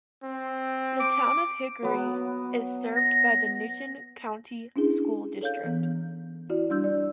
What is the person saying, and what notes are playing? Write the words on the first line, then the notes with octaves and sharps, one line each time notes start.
The Town of Hickory is served by the Newton County School District.
C4
D6
F#3 B3
A#6
C#4 D4 E4 G#4
A4 C#5 F5 G6
E3 B3
E4 F#4 D5
G3 D4 E6 G6
D5